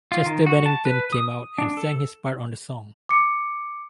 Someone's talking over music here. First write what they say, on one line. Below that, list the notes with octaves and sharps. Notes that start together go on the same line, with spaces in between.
Chester Bennington came out and sang his part on the song.
F4
D#3
F#4
A5
B4
D#6
D4
A4
D6 C#7